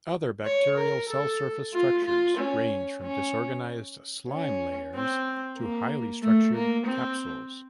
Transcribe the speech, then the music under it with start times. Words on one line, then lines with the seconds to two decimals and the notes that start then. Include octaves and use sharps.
Other bacterial cell surface structures range from disorganised slime layers to highly structured capsules.
0.45 C#5
0.78 A#4
1.09 A4
1.73 F4
2.05 F4
2.37 C#4
3.02 C#4
4.30 C#4
4.95 C4
5.58 A#3
6.22 A3
6.54 A#3
6.87 C4